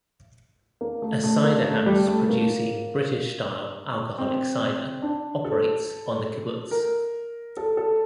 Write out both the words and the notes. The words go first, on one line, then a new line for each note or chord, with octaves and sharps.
A cider house producing British-style alcoholic cider operates on the kibbutz.
A#3
A3
A3
A#3
A3
G3
A3
A#3
C4
D4
A4
A#4
A4
A4